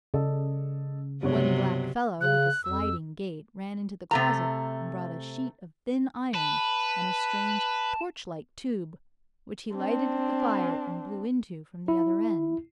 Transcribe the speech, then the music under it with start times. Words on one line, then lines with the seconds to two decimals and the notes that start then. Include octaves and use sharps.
One black fellow with a sliding gait ran into the closet and brought a sheet of thin iron, and a strange torch-like tube, which he lighted at the fire and blew into from the other end.
0.14 C#3 A4 D5 D#5
1.23 G2 C3 F#3 B3 C#5
2.21 C#3 F#6
2.64 F2 E6
4.11 C3 A3 A#5
6.34 B4 A5
9.75 C4 D4
11.88 E4